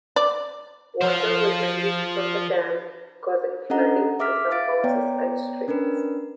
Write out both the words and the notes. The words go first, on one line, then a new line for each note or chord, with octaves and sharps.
Water was released from the dam causing flooding to some houses and streets.
D5
F3 C5
C#4 D4 A4 D#5 F#5 A#5
G#4 E5 D6 E6 F6 B6
E5 F5 A6 D7
B3 C#5 D5 G5 A#5
C#4 D4 A#4 B4